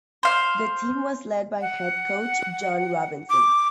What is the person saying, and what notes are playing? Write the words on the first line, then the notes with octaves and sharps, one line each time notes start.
The team was led by head coach John Robinson.
C5 F5
F#5
D6